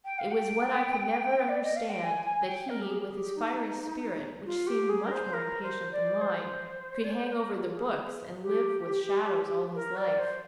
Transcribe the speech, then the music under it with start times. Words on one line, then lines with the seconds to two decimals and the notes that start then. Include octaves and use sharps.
It was what I could never understand, that he, with his fiery spirit, which seemed much more impatient than mine, could hang over the books and live with shadows all his life.
0.04 G5
0.18 F5
0.31 G5
1.48 D5
1.62 D#5
1.76 F5
1.89 G5
2.03 G#5
2.25 G#5
2.46 G5
2.69 A#4
2.82 G4
2.90 G#4
3.12 G4
3.35 D#4
4.45 F4
4.67 G4
4.89 G#4
5.05 A#4
5.11 C5
5.33 A#4
5.62 C5
5.92 D5
6.21 C5
7.03 D5
7.10 C5
7.32 A#4
7.54 F4
7.76 G#4
8.42 G4
9.75 A#4
9.96 D5
10.19 C5